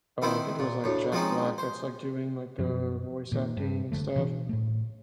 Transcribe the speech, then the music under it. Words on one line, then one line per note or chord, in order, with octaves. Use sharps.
uh, I think it was, like, Jack Black that's, like, doing, like, the voice acting and stuff.
D#3 B3 C4 E4 C5
A#2
D2 A2
F3 G#3 C4 C#4 D#4
C5
F#2 B2 F3
A#2 D#3
G2
F#1 D2 D3 A3
B2 E3 A#3 D4
A2 A3